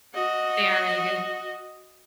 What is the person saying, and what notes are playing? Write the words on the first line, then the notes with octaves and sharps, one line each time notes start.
They are really good.
F#4 D#5